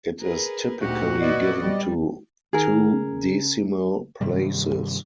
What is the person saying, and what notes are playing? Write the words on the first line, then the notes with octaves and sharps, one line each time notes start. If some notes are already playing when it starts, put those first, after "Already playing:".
It is typically given to two decimal places.
G#4 A#4 B4
D2 A#2 D#4 F#4 G4 F#5
E4 B4 D5 D#5
G3 B3
D#3 G#4 A#4
C#3
G2 C3 D#3 G3